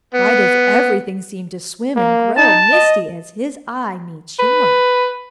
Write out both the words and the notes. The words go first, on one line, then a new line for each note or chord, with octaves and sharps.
Why does everything seem to swim and grow misty as his eye meets yours?
B3
A#3
D#4 A5
D#5
B4